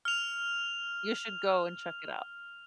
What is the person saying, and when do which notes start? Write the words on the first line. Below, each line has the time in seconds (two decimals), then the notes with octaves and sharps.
You should go and check it out.
0.05 F6 F7